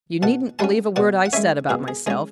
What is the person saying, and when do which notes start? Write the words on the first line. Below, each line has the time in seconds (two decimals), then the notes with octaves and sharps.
You needn't believe a word I said about myself.
0.23 B2 F#5 A5
0.59 G#3 C#4 F#5 A5
0.96 B2 D5 F#5
1.26 F#5
1.33 G#3 C#4 C#5 E5
1.69 B2 G#4
1.88 G#4
2.07 G#3 C#4 G#4